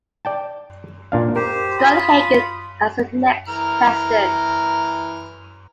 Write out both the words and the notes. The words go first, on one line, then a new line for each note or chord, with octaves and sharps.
Scott Hagan as the next president.
D5 G5 A5
A#2 D4 F5
G4 A#4 C5
F4 B5 D#6
E3 A#5 F6